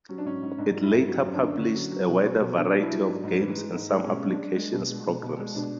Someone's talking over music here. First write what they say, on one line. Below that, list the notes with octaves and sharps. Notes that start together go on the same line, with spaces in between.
It later published a wider variety of games and some applications programs.
F#3 C#4
D4
G#2 C#4
G#2
G#2 D4
F#3
E4
G#2
F#3 F#4
F#2
D4
D3
D3 C#4
F#3
F#3
B2
F#3
B2
B2 D4
F#3
E4
F#3
G#2 D4
G#2
E3
G#3
G#2
G#3
B2 C#4
G#3
D4
G#3
G#3
B2
G#3
B2
B2
G#3
B2 D4